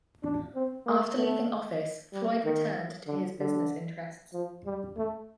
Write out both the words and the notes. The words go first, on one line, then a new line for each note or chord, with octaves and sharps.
After leaving office Floyd returned to his business interests.
D4
C4
A#3
A3
G3
D#3
D3
D3
F3
G3
A3